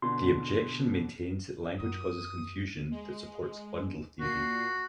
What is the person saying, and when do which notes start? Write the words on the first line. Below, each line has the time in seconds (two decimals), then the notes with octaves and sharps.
The objection maintains that language causes confusion that supports bundle theory.
0.02 B2 D3 C6
1.80 F#2 F4 D#6
2.91 G#3
4.20 A#2 F#4 C7